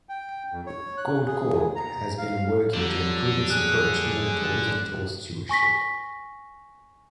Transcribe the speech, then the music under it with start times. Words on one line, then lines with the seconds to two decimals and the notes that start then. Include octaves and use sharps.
Goldcorp has been working to improve its approach to environmental stewardship.
0.09 G5
0.52 F2
0.66 C#5
0.97 F#6
1.27 G#4
1.76 A#5
2.18 F5
2.74 F2 D3 F#3 G3
3.50 G#4 F#6
5.49 G#5 C#6 A#6 B6